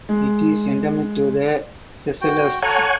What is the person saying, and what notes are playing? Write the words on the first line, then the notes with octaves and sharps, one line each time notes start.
It is endemic to the Seychelles.
G#3
F#4 G5
A4 C#5 F#5 G#5 A#5